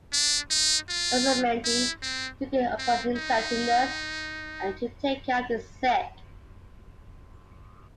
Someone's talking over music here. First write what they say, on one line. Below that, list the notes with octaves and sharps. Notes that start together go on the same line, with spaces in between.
Arizmendi, took it upon himself to nurse and to take care of the sick.
D4
D#4
F4
E4
C4
C4
D#4